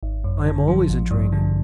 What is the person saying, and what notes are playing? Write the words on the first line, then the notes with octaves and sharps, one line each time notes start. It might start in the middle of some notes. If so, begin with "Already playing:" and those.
"I am always in training."
G#1
F#2
D3
F3
A1
G2
D3